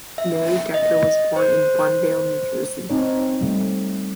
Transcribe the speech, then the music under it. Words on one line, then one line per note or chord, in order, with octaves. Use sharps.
Mary Decker was born in Bunnvale, New Jersey.
E5
D#5
C5
C4 D#4 C#5
G3 A3